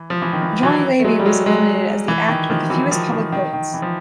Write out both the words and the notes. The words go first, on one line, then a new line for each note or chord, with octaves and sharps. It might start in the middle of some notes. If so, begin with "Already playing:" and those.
Jonny Labey was eliminated as the act with the fewest public votes.
Already playing: E3
F3
E3
D#3
E3
E3 F#3
A3
F#3 G#3
G3
F#3 G#3
F#3 G#3
E3
D#3
D#3 F3
F3
E3 F#3
D#3 F3
D#3
D#3
D#3
E3
F3